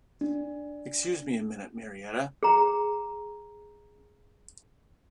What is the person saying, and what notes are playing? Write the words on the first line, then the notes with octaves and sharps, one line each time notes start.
Excuse me a minute, Marietta.
D4
G#4 A#5